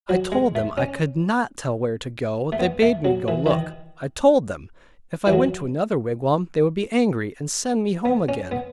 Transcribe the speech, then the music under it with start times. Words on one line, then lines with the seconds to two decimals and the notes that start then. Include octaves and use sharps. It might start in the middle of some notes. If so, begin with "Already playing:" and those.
I told them, I could not tell where to go, they bade me go look; I told them, if I went to another wigwam they would be angry, and send me home again.
0.09 F#3
0.32 G#3
0.55 A3
0.78 C#4
2.52 A3
2.59 B3
2.82 A3
3.05 F#3
3.28 E3
3.46 E3
3.51 D#3
5.27 E3
5.33 F#3
8.05 B3
8.29 C#4
8.51 B3